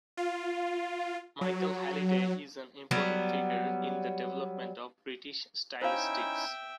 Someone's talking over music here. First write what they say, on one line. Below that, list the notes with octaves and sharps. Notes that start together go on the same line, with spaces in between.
Michael Halliday is an important figure in the development of British stylistics.
F4
F#3
F#3 G3 B3
C#4 D#4 E4 C5 E5 F5 G5